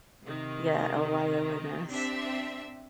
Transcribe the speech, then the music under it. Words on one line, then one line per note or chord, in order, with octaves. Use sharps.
yeah, L-Y-O-N-S.
C3 D#3
C4 D4 G4 E5